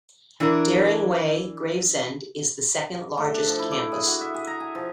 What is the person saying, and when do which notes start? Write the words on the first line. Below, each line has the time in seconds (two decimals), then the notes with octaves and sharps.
Dering Way, Gravesend is the second largest campus.
0.40 E3 D4 E4 A#4
3.17 A3
3.34 D4
3.48 F3
3.59 E4
3.71 D6
3.92 G#4
4.06 F#4
4.21 E5
4.34 G#4
4.47 A#5
4.60 G#5
4.75 F3